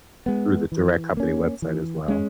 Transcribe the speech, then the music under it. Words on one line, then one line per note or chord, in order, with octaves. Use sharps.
through the direct company website as well.
G#3 B3
E3
A#3 C#4
E3
G#3 C#4